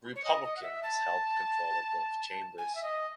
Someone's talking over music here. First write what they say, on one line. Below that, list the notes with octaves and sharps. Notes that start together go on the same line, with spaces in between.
Republicans held control of both chambers.
C#5
D#5
D#5
F#5
E5
A5
G#5
E5
D#5